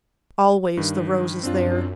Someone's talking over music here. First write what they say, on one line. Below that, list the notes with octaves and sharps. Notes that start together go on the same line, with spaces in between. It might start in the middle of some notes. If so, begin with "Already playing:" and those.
Always the rose is there.
G2 D#3
F#2 C4 D4 F4